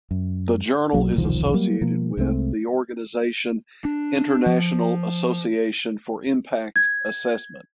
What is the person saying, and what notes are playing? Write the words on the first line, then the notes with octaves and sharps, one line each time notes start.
The journal is associated with the organization International Association for Impact Assessment.
F#2
B1 F#3 A#3
E1 C2 D#3 F3
F#3 G3 A#3
B2 F3 A#3
C2 G#3 A3 C4
D4
F3
G#6